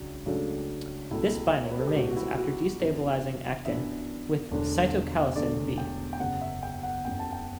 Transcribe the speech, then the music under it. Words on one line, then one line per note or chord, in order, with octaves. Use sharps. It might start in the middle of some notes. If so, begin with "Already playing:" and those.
This binding remains after destabilizing actin with cytochalasin B.
Already playing: C#2 C#3 F#3 D4
C#2 C#3 F#3 A3 D4
C#2 B2 A3 E4
C#5
B4
A4
G4
C#2 B2 A3 F#4
F#4
E4
F#4
F#2 E3 B3 D4
F#2 E3 B3 D4 E5
E1 E2 D3 A3 D4
E1 E2 D3 A3 D4 D5
G5
G5
F#1 E2 C#3 F#5
E5
G5
F#5
F#1 E2 C#3 G5
A5
G5